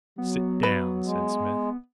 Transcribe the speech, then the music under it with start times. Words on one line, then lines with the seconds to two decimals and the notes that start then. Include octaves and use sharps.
"Sit down!" said Smith.
0.18 F#3 B3
0.63 B4
1.05 G#3